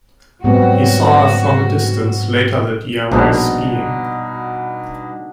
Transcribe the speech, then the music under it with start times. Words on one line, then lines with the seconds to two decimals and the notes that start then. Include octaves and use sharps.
He saw her from a distance later that year while skiing.
0.44 G#2 F#3 G3 B3 C4 F#4
3.12 A#1 G2 B2 D4 D#4 F#4